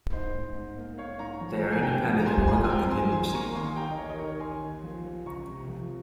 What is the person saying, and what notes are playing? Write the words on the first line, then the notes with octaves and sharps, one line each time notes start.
They are independent and work on contingency.
G#2 C5 D#5
G#2
G#2
A#3
A#3 C#5 F5
G#2 A#5 C#6
F3
F3 A#5
G#5
G2 G5 A#5
F3
A#5
C4 G#5 C6
F3 G#5 C6
G#5
C4 G5 A#5
C4 G#5 C6
D#2 G#5 C6
A#3 A#5 C#6
D#2 G#5 C6
D#2 G5 A#5
D#5
D#2 A#4 C#5
D#5
D#3 A#4 C#5
D#2 G#5 C6
D#2
F3
F3
C#2 A#5 C#6
C3
F3